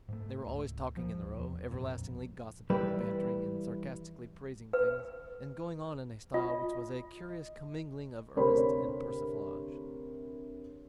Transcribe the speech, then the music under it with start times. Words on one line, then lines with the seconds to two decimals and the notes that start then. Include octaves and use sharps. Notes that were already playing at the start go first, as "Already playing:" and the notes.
They were always talking in the Row, everlastingly gossiping, bantering and sarcastically praising things, and going on in a style which was a curious commingling of earnest and persiflage.
0.08 G#2 A3
0.47 C#2
0.97 D1 A#1 F3
1.37 E2
1.71 A#1 F2 A#2
2.70 E3 G3 E4 B4
4.73 B4
6.34 F4 D#5
8.36 D2 C3 A#4 C5 C#5 B5